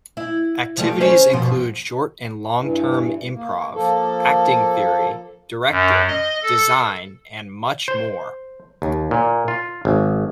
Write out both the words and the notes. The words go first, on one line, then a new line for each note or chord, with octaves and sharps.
Activities include short and long term improv, acting theory, directing, design, and much more.
E4
F3 G3 A3
C#4 C5
G2 B2 F3
G2 E3
A#3
F3 A#3 A4
F#2
D#5
A4
C5
D#2
A#2
F4
G#1